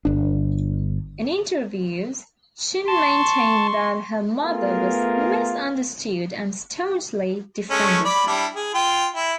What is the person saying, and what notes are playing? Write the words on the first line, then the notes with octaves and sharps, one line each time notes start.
In interviews, Chin maintained that her mother was misunderstood and staunchly defended her.
G1 D4
A5 C6 C#6
A3 B3 F4 G#4 A#4
G#3 A3 C#4
D5 B5
G3 D4 E4
G#4
F4 G5
E4